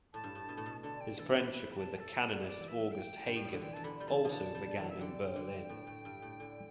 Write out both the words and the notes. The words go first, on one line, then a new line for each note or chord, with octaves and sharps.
His friendship with the canonist August Hagen also began in Berlin.
A2 A5
G2
A2
B2
A2
B2
D3 A5
G5
E3 A4
B4
B4
B5
A5
A4
G3 B4
E5
D5
E3
E5
G5
G2
A2
B2
D3
E3 G5
E3 A5
D3 B5
G3
E3 A5
B2
D3 A5
G3
E3
E5
D3 G5
D3
A2
A2
G2
A2
D3